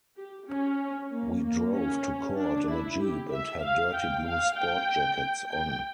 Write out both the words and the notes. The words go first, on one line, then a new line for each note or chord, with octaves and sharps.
We drove to court in a Jeep and had dirty blue sport jackets on.
G4
C#4
A#3
A#3
C#4
D4
E4
G4
E5
F5
G5
F5
G5
G5